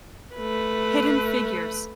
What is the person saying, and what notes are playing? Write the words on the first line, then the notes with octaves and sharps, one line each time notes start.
Hidden Figures.
A3 B4